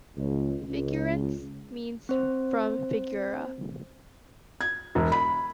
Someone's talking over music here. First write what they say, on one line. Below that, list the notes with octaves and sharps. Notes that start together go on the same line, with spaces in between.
Figueirense means "from Figueira".
C#2
C#2
C4 C5
G#6
E1
B5